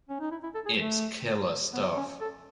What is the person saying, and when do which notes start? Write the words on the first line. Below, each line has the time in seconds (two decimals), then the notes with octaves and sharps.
It's killer stuff.
0.09 C#4
0.20 D#4
0.31 E4
0.43 E4
0.55 A4
0.66 G#4
0.78 A3
1.73 B3
1.96 C#4
2.21 A4